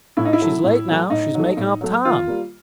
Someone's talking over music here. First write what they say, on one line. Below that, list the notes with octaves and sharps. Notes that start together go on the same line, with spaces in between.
"She's late now, she's makin' up tahm!"
A2 E4
D#4
E4
F#3 A3
A2
F#3 A3
A2 D#4
F#3 A3
A2
F#3 A3
D#3 F4
G3 A#3